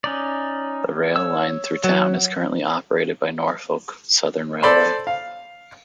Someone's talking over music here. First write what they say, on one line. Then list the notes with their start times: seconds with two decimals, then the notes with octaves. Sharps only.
The rail line through town is currently operated by Norfolk Southern Railway.
0.04 C#4 D#4 D5
1.16 C#5 E6
1.84 F#3
4.63 A4 C5 D5 B5 C6
5.07 F5